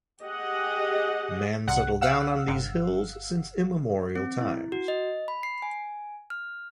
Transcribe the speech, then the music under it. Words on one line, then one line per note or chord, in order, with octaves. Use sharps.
Man settled down on these hills since immemorial times.
G4 G#4 D#5 F#5
C2 F#5
F5 F#5 E6
G1
C4
E4
F#4
D#5
B5
C7
G#5
F6